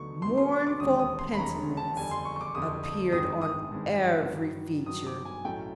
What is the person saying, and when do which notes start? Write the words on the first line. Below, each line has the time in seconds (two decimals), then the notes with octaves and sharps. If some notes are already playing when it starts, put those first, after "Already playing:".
Mournful penitence appeared on every feature.
Already playing: D2 D3 F#3 B3 D#4 C#6
0.22 D2 D3 F#3 B3 D#4 C6
0.38 C6
0.52 C#6
0.67 D6
0.80 E1 D#2 D#3 G#3 C#4 D#6
0.99 D#6
1.19 C6
1.34 B5
1.38 E1 D#2 D#3 G#3 C#4 A#5
1.77 A5
1.96 F2 D3 G3 G#5
2.11 C6
2.25 C#6
2.36 C#6
2.41 D6
2.54 F2 D3 G3 D#6
2.83 D#6
3.12 G#1 G2 D#3 G#3 C4 D#6
3.41 D#6
3.70 G#1 G2 D#3 G#3 C4
4.29 G2 D#3 F#3
4.86 G2 D#3 F#3 D#6
5.07 D6
5.25 G#5
5.44 B1 A2 F#3 A3 C#4 G5